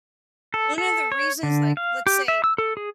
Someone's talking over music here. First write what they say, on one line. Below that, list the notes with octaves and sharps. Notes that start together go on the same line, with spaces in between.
one of the reasons, like, let's say
A4
A4
C#5
D3
F5
G4
E5
E6
A4
G#4